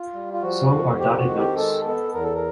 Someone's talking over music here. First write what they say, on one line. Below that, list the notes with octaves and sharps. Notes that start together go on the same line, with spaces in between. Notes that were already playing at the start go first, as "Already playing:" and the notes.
So are dotted notes.
Already playing: F4
G3
F4
F3 F#4
F2
C4 G4
F#4
D#3
G4
G#3 A4
B3 A4
E2 A#4
A4
A#4